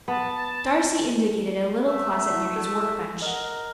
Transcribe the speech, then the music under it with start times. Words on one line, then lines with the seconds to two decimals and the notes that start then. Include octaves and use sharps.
Darcy indicated a little closet near his work bench.
0.08 B3 A5
1.87 A3 E5
2.30 E4 F#4
2.56 A4
3.22 A#4 D#5 F#5